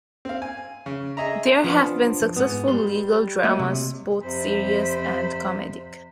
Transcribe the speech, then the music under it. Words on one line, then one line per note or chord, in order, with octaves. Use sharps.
There have been successful legal dramas both serious and comedic.
C4 F5
G#5
C#3
G#4 D#5 E5 A#5
F3 B3 D4
G#2 B3
G3 C6
A3 A#3 F#4 C#5 D#5
C3
F2 C3 C5 B5